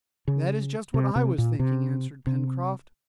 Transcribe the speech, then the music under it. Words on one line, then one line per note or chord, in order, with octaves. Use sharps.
"That is just what I was thinking," answered Pencroft.
C#3
C3
C3
A#2
C3
C3